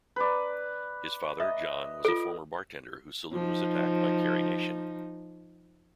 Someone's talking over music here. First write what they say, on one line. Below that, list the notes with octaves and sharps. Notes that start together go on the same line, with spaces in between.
His father, John, was a former bartender whose saloon was attacked by Carrie Nation.
B4 D5
D#5 E5
F4 A4 D7
F3 D#4